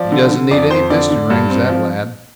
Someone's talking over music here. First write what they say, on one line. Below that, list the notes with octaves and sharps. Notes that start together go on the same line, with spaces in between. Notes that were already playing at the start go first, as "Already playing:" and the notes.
He doesn't need any piston rings, that lad.
Already playing: F3 D5
D3
D3
F2 D5
F2 C5
D3 D5
D3
G2
C4
F3